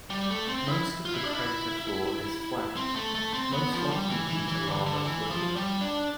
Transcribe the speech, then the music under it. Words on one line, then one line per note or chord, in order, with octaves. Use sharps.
Most of the crater floor is flat, most likely due to lava flooding.
G3
A3
C4
E4
F4
E4
D4
E4
C4
A3
A3
C4
B3
F3
G3
E3
E3
E3
D3
D3
E3
F3
G3
D4